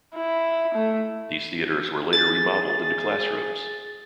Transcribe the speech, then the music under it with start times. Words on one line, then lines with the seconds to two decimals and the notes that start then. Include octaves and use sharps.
These theaters were later remodeled into classrooms.
0.15 E4
0.74 A3
2.13 G#4 A6